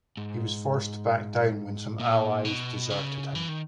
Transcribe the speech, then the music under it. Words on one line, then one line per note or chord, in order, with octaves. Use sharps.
He was forced to back down when some allies deserted him.
G#2
A#2
B2
C#3
E3
D#3